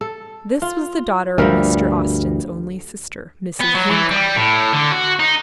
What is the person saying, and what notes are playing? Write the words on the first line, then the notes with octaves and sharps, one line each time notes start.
This was the daughter of Mr. Austen's only sister, Mrs. Hancock.
A4
F4
D2 G2 F3 G3 A#4
B3
F#3
E3
G3
A2
D3
F#4
D#4